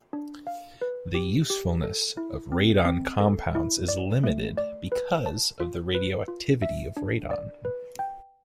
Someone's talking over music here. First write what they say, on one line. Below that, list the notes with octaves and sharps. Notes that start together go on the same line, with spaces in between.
The usefulness of radon compounds is limited because of the radioactivity of radon.
D4
F5
B4
G4
G4
A4
E4
C4
C4
A4
E4
D5
A3
D5
B4
A5
F4
B4
F4
E5
D4
D5
B4
G5